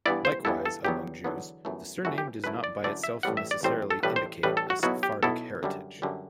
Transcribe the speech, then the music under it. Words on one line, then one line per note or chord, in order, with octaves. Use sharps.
Likewise, among Jews, the surname does not by itself necessarily indicate a Sephardic heritage.
G2 E3 B3 E4 D5
C5
G2 E3 B3 E4 A4
A4
E2 D3 F#3 B3 G4
E2 D3 F#3 B3
G1 F#2 E3 A3
G1 F#2 E3 A3 F#4
G4
F#2 D3 A3 E4 B4
D5
F#2 D3 A3 E4 D5
E5
A1 A2 G3 C4 F#5
E5
D5
A1 A2 G3 C4 C5
A4
A1 A2 G3 B4
C5
A1 A2 G3 B4
A4
F#4
B1 B2 F#3 B3 E4 F#4
G4
B1 B2 F#3 B3 E4 A4
F#2 D3 G3
F#2 D3 G3